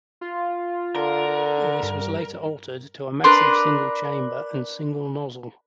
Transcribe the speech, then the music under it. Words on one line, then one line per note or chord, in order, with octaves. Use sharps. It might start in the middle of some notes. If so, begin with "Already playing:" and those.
This was later altered to a massive single chamber and single nozzle.
F4
D3 A#4
G2
D4 A#4 B4 C6